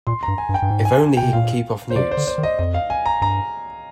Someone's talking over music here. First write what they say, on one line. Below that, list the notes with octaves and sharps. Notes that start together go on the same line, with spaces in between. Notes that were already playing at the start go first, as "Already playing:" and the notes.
If only he can keep off newts.
A#2 C6
A#5
G2
G#5
G2
G5
G2
G#2
G#5
G#5
G5
C3
A#2 F5
C5
C3 D5
C5
D3
C5
D#3
D#5
F2 D#5
F5
G#5
A#5
G2 A#5